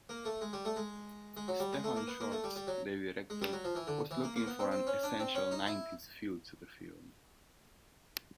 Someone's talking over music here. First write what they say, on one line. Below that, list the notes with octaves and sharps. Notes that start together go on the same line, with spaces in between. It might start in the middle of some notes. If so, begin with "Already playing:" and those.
Stefan Schwartz, the director, was looking for an essential nineties feel to the film.
A#3
A3
G#3
G3
A3
G#3
G#3
F#3
G3
G#3
A3
A#3
B3
A#3
A3
G3
G3
F#3
G#3
G3
F#3
F3
E3
D3
E3
A#3
A#3
B3
C4
C4
C#4
D4
C4
C#4
D#4
E4